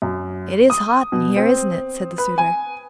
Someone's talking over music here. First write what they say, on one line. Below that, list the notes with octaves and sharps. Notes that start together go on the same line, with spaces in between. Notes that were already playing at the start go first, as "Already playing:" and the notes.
'It is hot in here, isn't it!' said the suitor.
F#2
D#6
B2
C4
B4
G#5